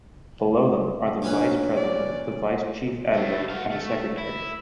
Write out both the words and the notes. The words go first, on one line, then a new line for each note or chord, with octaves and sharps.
Below them are the vice president, the vice chief editor, and the secretary.
A#2 C#4 D4 B4
C#5 D5
G2 A3
F#4 F5
A3
E4